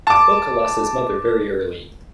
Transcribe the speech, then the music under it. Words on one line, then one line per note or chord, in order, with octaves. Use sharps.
Boka lost his mother very early.
A5 D6